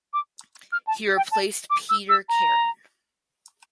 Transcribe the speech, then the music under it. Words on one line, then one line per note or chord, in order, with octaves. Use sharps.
He replaced Peeter Karin.
D6
F6
A5
G5
A5
D6
E6
E6
A#5